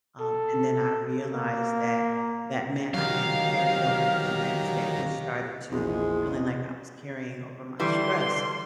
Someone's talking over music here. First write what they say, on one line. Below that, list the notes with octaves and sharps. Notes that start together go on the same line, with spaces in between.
Um, and then I realized that, that meant I had to carry it over to the next day which started to feeling like I was carrying over my stress.
A4
A#3
D#3 F#3 G4 F5 A#5
A#1 E2 G#3
D3 E3 G3 C6